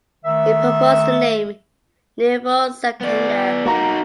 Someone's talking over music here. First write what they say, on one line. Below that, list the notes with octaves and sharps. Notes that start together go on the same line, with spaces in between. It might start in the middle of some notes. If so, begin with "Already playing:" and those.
He proposed the name "Nuevo Santander".
D#3 A3 E5
B3 D5
A#3 D#4 F#4 A#5